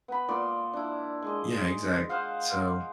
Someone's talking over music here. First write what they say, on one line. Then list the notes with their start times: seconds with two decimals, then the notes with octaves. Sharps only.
Yeah. Exact so,
0.08 B3 B5
0.29 A#2 D5 D#5 C6
0.73 D4 E4
1.22 G#3 D#5
2.09 C5 D#5 F5 F#5